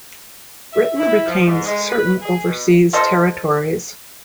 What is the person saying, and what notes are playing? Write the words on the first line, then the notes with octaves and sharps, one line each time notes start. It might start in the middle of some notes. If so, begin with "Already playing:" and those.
Britain retains certain overseas territories.
E5
E4
F3
G#2
G#3
B4
G#4
B2
F4 A4 C5 D#5